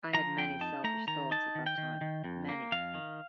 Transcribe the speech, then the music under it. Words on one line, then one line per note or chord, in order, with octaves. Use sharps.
I had many selfish thoughts at that time, many!
F3 A#5
F2 G5
D#4 A5
A3 A#5
D#3 A#5
D#4 A5
D#3
G5
D#3
D#3
F2
A#3
F2 F5
D#3